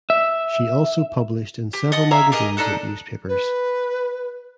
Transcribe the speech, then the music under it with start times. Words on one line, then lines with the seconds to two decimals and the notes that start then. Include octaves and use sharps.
She also published in several magazines and newspapers.
0.10 E5
1.73 G4
1.92 D#5 F#5 A5 D#6
2.11 E5 F5 G#5 A#5
2.32 G4 G#4 A#4 D#5
2.57 D4 D#4 A4 F#5
3.28 B4